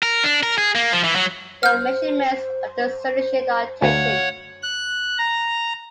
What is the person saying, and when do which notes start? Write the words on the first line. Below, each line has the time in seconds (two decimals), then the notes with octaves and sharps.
Then measurements of the solution are taken.
0.03 A#4
0.24 D4
0.43 A#4
0.58 G#4
0.75 A#3
0.92 F3
1.04 E3
1.16 F#3
1.63 C5 F6 G6
3.82 D2 C#5 F5 F#5
4.62 F#6
5.18 A#5